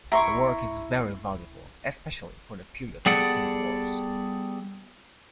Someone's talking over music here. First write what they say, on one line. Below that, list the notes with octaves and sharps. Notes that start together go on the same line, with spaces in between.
The work is very valuable, especially for the period of the civil wars.
E4 A#5 C6 C#6
G3 B3 G#4 A4 D5 F#5